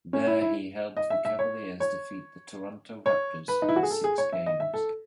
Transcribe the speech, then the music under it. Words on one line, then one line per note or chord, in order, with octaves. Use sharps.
There he helped the Cavaliers defeat the Toronto Raptors in six games.
C#4
E4
E4
D#5
E5
E5
C#5
C#5
C#5
B4
D#4
E4
F#4
G#4
A4
G#4
C#5
E5
D#5
E5
A4